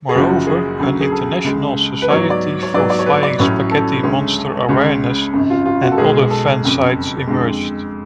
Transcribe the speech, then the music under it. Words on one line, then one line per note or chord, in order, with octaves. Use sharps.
Moreover, an International Society for Flying Spaghetti Monster Awareness and other fan sites emerged.
G#4
F#1 F#2 F3 F#4
G#4
D2 C#3 F#3
G#4
A4
C#2 C#3 G#3
B4
G#2 F#3 B3 C#5
D5
C#5
G#2 F#3 B3 D5
D5
C#5
B4
D5
A1 A2 F#3 C#4
A4
D2 C#3 G#3 C#4
C#2 C#3 G#3 C#4
G#1 F#2 C#3
F4
F4
F#4
A4
B1 B2 G#3 B3 G#4
A4
F#1 F2 C#3
F2 D3 G#3